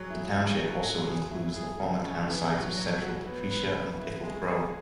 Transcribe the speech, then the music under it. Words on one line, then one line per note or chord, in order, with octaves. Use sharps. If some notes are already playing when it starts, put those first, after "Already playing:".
The township also includes the former townsites of Central Patricia and Pickle Crow.
Already playing: F#3 G#4
E4
C#4
F#3
F#3
G#4
E4
G#4
C#3
C#4
E3
F#3
F#3
F#4
B3
B4
C#3
E4
G#3
G#4